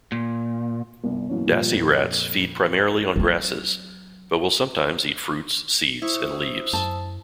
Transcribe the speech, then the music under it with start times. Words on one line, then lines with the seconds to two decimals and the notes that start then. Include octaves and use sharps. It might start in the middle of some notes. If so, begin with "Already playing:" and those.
Dassie rats feed primarily on grasses, but will sometimes eat fruits, seeds, and leaves.
0.12 A#2
1.04 G1 C2
1.29 F#2 B2 E3 A#3 C#4
1.47 A#2 F3 G3
1.72 F2 A#2
3.16 F#3 C4
6.02 E4 C5 C#6 D#6 E6
6.73 F#2 A5